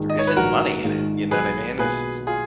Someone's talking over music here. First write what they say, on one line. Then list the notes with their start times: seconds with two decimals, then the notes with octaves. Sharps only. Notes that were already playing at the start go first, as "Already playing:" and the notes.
There isn't money in it, you know what I mean? It's
Already playing: A#1 G#2 D#3
0.10 D#5
0.19 C#5
0.27 B4
0.36 A#1 F#4 A#4
0.84 G#2 D#3
1.31 B1 G#4 B4
1.78 B2 A#3 F4 G#4 B4
2.27 F4 G#4